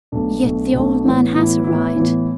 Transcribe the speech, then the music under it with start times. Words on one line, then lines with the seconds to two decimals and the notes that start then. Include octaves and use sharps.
Yet the old man has a right.
0.12 B1 B2 A3 D4
0.43 B1 B2 A3 D4
0.73 B1 B2 A3 D4
1.04 A2 E3 B3 E4
1.34 A2 E3 B3 E4
1.64 A2 E3 B3 E4
1.96 A2 E3 B3 E4